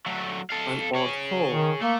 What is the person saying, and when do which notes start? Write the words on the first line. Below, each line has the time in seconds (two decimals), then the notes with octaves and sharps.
An art hole.
0.06 F#3 A3
0.50 A4 F5
0.95 G#4 C#5
1.51 D#3
1.82 A3 A#3